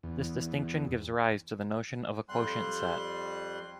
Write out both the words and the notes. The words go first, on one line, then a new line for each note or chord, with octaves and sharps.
This distinction gives rise to the notion of a quotient set.
E2
F2 G3 C6 F#6